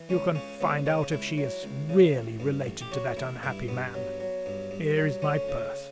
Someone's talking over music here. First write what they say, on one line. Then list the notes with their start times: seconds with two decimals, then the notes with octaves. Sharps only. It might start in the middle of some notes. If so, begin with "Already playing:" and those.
You can find out if she is really related to that unhappy man. Here is my purse.
Already playing: E3
0.09 C#2 C#4
0.35 C#3 C#4
0.61 C#2 B3
0.86 C#3 C#4
1.12 C#2 E4
1.38 F#3
1.63 C#2
1.89 C#3
2.14 A1
2.40 G2
2.66 A1
2.81 G4
2.92 F#3 F#4
3.17 A1 E4
3.43 G2 E4
3.68 G2 B3
3.94 F#3
4.20 F#3
4.46 G2
4.71 G2
4.97 F#3
5.22 D2 C#4
5.49 C#3